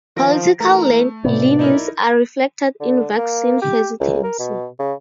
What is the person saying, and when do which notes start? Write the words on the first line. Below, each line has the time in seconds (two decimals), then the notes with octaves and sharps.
Political leanings are reflected in vaccine hesitancy.
0.16 D#3 F3 A#6 D7
0.60 E3 A3 A#4
1.24 B1 A2 C3 B3 D5
1.59 D#4 E4 A#4
2.80 D3
3.18 A#3
3.62 G4
4.00 C#2
4.24 A#4
4.39 B2
4.79 C#3